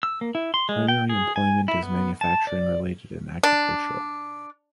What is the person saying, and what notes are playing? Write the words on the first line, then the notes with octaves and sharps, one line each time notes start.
Primary employment is manufacturing related and agricultural.
E6
A#3
E4
C6
G#3
G5
G#4
G#5
E4
B3
A5
D5
D4